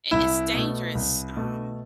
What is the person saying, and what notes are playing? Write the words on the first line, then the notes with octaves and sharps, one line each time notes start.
I it's dangerous um,
C2 E4
B2 A3
C2
B2 A3